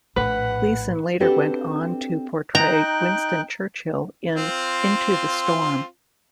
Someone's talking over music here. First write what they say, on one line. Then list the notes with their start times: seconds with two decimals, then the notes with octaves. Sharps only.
Gleeson later went on to portray Winston Churchill in "Into the Storm".
0.16 A#1 A2 B4 F#5
1.20 C4 D4 F#4 G4 A4 B4
2.55 D#4 G5 A#5 F#6
4.36 C4 F4